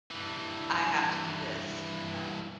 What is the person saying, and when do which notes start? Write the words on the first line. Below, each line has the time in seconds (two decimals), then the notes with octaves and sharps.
I have to do this. Um,
0.11 G2 E3